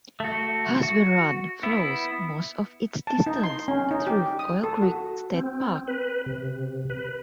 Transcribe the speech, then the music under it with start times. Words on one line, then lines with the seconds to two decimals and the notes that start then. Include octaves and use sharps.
Husband Run flows most of its distance through Oil Creek State Park.
0.20 A3 F#4
0.83 F#4
1.63 B3 E4
3.07 A5
3.26 D#4
3.44 C6
3.68 C#4
3.91 D#4
4.07 G4
4.39 D#6
4.64 A4
4.82 F#4
5.34 C4
5.88 B4
6.26 C3
6.90 B4